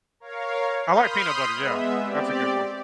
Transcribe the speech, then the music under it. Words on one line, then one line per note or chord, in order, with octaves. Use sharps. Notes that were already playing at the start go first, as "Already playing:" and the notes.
I like peanut butter, yeah. That's a good one.
A#4 C#5 F5
B5 C6 D#6 F6 G6
G#3 B3 E5
C4 G4 D5